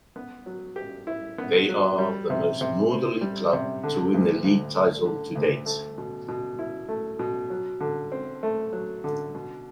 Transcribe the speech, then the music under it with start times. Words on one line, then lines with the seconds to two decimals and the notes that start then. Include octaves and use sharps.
They are the most northernly club to win the League title to date.
0.16 B3
0.46 F#3
0.76 G4
1.07 E4
1.38 B3
1.69 F#3
1.98 G3
2.30 C3
2.61 C3
2.91 C4
3.21 G3
3.53 C3
3.83 D3
4.14 D2
4.44 D2
4.75 A3
5.06 D3
5.35 D2
5.66 A3
5.98 B2
6.28 B2
6.59 E4
6.88 A3
7.19 B2
7.50 F#3
7.80 D3
8.12 C4
8.43 A3
8.73 F#3
9.04 D3
9.35 B2